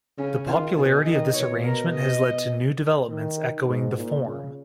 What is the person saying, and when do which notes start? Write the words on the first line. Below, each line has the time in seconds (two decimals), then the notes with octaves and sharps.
The popularity of this arrangement has led to new developments echoing the form.
0.18 C#3 C#4
0.46 D#3 F4
0.76 B2 G#4
1.05 D#3 D#5
1.34 B2 C#5
1.64 A#4
1.93 D#5
3.10 D#3
3.68 G#2
3.98 A#2
4.26 C#3